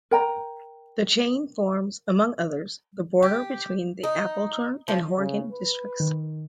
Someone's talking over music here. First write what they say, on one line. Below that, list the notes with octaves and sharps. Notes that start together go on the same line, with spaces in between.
The chain forms, among others, the border between the Affoltern and Horgen districts.
A#4 G5 A#5
G4
D#4
F3
C#3
B4
D#3